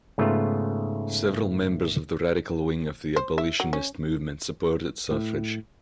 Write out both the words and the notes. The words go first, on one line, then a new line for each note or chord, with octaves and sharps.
Several members of the radical wing of the abolitionist movement supported suffrage.
G#2 C#3 A3 B3 F4
C5
E5
F#3
C#4
A2